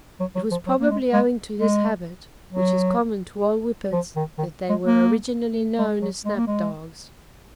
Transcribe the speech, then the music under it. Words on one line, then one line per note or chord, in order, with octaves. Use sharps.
It was probably owing to this habit, which is common to all Whippets, that they were originally known as Snap-Dogs.
F#3
F#3
F3
F#3
A#3
G#3
G#3
G#3
F#3
F3
D#3
D#3
G#3
A#3
G#3
F#3
G#3
A#3
G#3